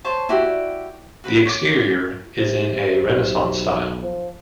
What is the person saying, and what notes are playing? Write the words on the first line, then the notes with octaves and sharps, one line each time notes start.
The exterior is in a Renaissance style.
C5 C#5 A5
E4 F#4 G4 D5
F#4 B4 B5
C#5 D6
C3
B1
F3